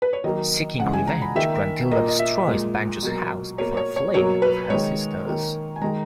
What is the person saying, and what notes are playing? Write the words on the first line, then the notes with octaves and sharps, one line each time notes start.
Seeking revenge, Gruntilda destroys Banjo's house before fleeing with her sisters.
B4
C#5
D#3 F#3 A#3 D#5
C#3 E3 G#3 F#5
G#5
A#5
B5
D#3 A#3 E5
A#2 A#3 D#5
D#5
E5
A#2 G#3
B2 F#3 A#3
B2 A#3 C#5
C#5
C#5
B2 F#3 A#3 C#5
B4
D#3 G#3 C#5
D#3 A#3
G#5
D#3 G#3 A#5